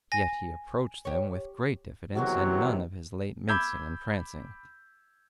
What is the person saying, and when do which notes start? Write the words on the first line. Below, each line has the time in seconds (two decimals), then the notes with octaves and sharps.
Yet he approached them with great diffidence and none of his late mincing and prancing.
0.12 G#5 A#6
1.05 G4 C#5
2.15 E2 C3 D#3 F#3 G#3 F#4 A#4
3.48 B5 D6 E6 G6 G#6